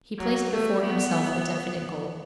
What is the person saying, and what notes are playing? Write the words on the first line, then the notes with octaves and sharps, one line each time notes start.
He placed before himself a definite goal.
F#3
A3
B3